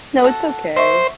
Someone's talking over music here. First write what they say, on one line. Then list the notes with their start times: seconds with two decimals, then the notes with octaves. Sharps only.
No, it's okay.
0.24 F#4 A4 F#5
0.77 F#4 C5 E5 C#6